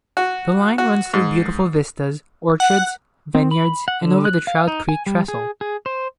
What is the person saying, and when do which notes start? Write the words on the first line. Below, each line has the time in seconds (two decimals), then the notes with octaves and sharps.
The line runs through beautiful vistas, orchards, vineyards, and over the Trout Creek Trestle.
0.17 F#4
0.78 F#4
1.14 G#2
2.60 F#5
3.35 C4
3.51 B5
3.88 F#5
4.01 D3
4.25 F#6
4.47 F5
4.68 D#4
4.89 G#5
5.06 G3
5.28 G#4
5.61 G#4
5.86 C5